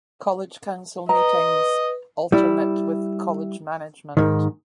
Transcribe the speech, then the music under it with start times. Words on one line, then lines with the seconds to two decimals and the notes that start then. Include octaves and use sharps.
"College Council" meetings alternate with "College Management".
1.09 B4 D#5 A#5
2.32 G3 E4
4.17 G#2 D#3